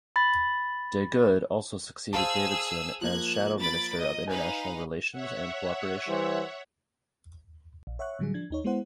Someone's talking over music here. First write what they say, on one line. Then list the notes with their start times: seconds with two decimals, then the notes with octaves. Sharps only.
De Goede also succeeded Davidson as Shadow Minister of International Relations and Cooperation.
0.16 B5 A6
2.13 G#4 C5 F5 A5 E6
3.01 F3 A#3 F#6 G#6
3.60 B5 A6 D7
3.98 D#5
4.27 D#4 B4 F5 G#5
5.12 C#5 E5 F#5
6.08 E3 G3 C5
7.87 A#1
7.99 C#5 E5 F#5 C#6 F#6
8.19 A2 D3 F#3 G3 G#4
8.34 F3 D4 G#6
8.50 D#2 D#4 C#5
8.64 G#3 B3 E4 C5 F#5